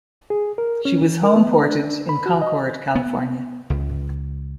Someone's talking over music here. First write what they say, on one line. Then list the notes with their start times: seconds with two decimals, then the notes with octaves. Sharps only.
She was homeported in Concord, California.
0.30 G#4
0.58 A#4
0.85 C#4
1.02 E3
1.23 A#4
1.36 B3
1.63 D4
2.09 B5
2.26 F#4
2.42 D#5
2.95 B3
3.70 C#2